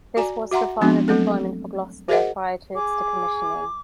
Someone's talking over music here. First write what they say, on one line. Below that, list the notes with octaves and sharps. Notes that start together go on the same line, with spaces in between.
This was the final deployment for "Gloucester" prior to its decommissioning.
F#4 D5 G#5 A#5
F#4 E5 F#5 A#5 C6
F3 G#3 B3 C4 D4 F#4
F#3 A3 C4 A4
F#4 G#4 A#4 C5 D#5 F#5
G#4 D6